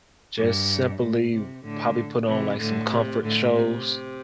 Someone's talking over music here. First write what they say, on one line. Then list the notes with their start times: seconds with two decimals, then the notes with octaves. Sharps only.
just simply probably put on, like, some comfort shows,
0.37 G2
1.01 A2
1.32 C3
1.63 A2 D3
2.27 C3 E3
2.59 A2 D3
2.90 C3
3.22 A2 D3
3.54 C3